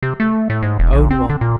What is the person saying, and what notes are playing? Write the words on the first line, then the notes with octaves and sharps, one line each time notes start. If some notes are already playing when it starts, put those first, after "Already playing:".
Own what?
C3
A3
A2
G#2
E1
A#1
C4
D3
A#2